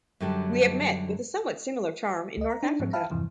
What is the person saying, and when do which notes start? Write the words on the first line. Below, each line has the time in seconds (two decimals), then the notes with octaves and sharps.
We have met with a somewhat similar charm in North Africa.
0.20 F#2 D3 F#3 G3 G4 A5
2.37 C#2 D#5
2.50 A#5
2.63 D4 D#4
2.80 G#2 F3 G#3 C4
2.93 E5 F5 G5 A5 B5 F6
3.10 E2 G2 C3 E3 F3